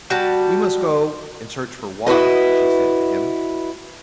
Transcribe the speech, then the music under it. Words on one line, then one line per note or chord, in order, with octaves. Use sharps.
"We must go and search for water," she said to him.
G3 F#4 A5
E4 F#4 B4 D#5